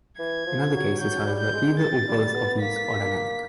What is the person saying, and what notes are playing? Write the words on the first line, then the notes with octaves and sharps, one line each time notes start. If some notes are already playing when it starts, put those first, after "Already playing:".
In other cases, however, either or both of these are dynamic.
E3 G#6
F3
F#3
F#3 G6
G3
G6
G#3
A6
G3
B3
A#3 B6
A#3